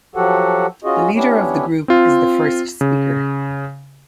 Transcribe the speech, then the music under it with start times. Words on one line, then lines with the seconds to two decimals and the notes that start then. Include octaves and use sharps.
The leader of the group is the First Speaker.
0.15 F3 F#3 F#4 G4 A4 F#5
0.84 C#4 F4 F#4 G#4 D#5
1.15 B3 C#4 D4 E4 G4 C#5
1.88 C4 F4
2.81 C#3